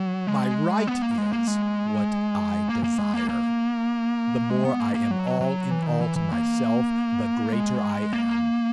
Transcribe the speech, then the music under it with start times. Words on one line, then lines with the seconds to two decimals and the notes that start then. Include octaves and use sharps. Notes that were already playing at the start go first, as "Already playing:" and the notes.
My right is--what I desire. The more I am all in all to myself, the greater I am.
Already playing: F#3
0.27 G#3
0.87 B3
1.02 A#3
1.18 G#3
1.33 A#3
1.47 G#3
2.69 A#3
2.84 A#3
2.98 G#3
3.14 A#3
3.29 A#3
4.50 G#3
4.65 B3
4.80 A#3
4.95 A#3
5.11 F#3
5.41 F#3
5.71 E3
5.86 D#3
6.01 E3
6.16 E3
6.31 A#3
7.52 G#3
8.13 A#3